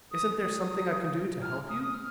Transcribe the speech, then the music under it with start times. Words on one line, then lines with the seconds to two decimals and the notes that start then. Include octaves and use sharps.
"Isn't there something I can do to help you?"
0.12 D#6
0.37 D#6
1.42 F6
1.69 D#6
1.83 D#6
1.94 F6